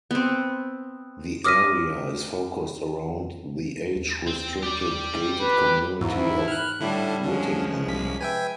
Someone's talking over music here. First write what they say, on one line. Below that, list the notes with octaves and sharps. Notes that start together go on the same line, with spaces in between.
The area is focused around the age-restricted gated community of Whittingham.
B3 C4
D6 D#6 F6 A#6 B6 D#7
D#2
C4
G4 D5
B4
E2 G#2 D#3 E4
F6 F#6
A2 D3 G3 E4 A4
D3 F3 G#3 C#4
C2 B6
B4 E5 G5 G#5